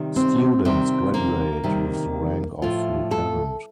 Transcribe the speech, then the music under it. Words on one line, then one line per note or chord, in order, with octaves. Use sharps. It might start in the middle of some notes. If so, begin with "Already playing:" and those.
Students graduate with the rank of lieutenant.
Already playing: C3 D#3 G3
C4
C3 D#3 G3 C4
A#3
C3 D#3 G3
A2 F3 F4
A4